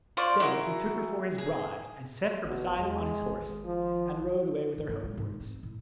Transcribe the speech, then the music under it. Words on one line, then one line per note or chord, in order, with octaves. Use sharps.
Then he took her for his bride, and set her beside him on his horse, and rode away with her homewards.
F4 C5 D5 C#6
E4 F#4 G#4 A#4
G#4
G#1 B2
E2 G#3
G#1
F3
G2 F4
G#2 B3
F#3 G#3
G#2 D#3
C4
A2